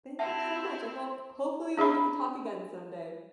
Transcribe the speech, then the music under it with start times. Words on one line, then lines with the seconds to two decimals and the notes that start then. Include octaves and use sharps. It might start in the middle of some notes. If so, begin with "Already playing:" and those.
Thank you so much. I hope hopefully, we'll get to talk again someday.
0.19 C4 E4 E5 F#5 A5
1.77 D4 G#4 E5 B5